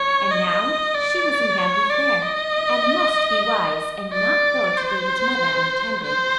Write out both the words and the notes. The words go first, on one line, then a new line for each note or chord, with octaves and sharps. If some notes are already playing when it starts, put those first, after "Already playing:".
And now she was in "Vanity Fair," and must be wise and not go to David's mother unattended.
Already playing: C#5
D#5
D5
C#5
D5
D#5
D5
C5
C5